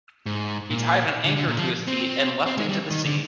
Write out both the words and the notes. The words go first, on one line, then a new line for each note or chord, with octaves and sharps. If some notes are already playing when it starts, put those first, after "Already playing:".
He tied an anchor to his feet and leapt into the sea.
G#2
A#2
D3
D3
A#2
F3
C4
C4
G#3
G3
D#3
D3